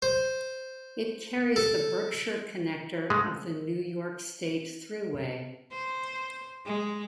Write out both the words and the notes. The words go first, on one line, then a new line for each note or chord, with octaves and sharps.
It carries the Berkshire Connector of the New York State Thruway.
C5
A4
G#3 A3
C5
G#3